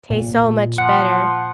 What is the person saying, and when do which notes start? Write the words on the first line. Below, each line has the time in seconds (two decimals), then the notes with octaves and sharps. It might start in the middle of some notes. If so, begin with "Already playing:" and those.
Tastes so much better.
0.10 A#2
0.78 F3 F#5